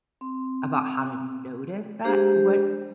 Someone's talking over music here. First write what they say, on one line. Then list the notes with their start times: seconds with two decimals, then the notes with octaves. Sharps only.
about how to notice that, what
0.21 C4
2.05 G#3 D4 G4 G#4 C5